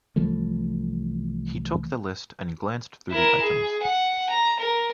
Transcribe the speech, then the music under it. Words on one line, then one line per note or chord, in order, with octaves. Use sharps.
He took the list and glanced through the items.
C2 E3 F3 A3
E4 A#4
G#4
F#5
A#5
A#4